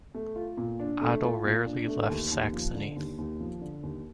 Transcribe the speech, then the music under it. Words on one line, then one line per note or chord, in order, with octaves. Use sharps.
Otto rarely left Saxony.
A3
F4
A#2
D4
A3
F4
A#2
D4
A3
D#2
D#2
F3
D3
D#2
D#2
F3
D3
D#2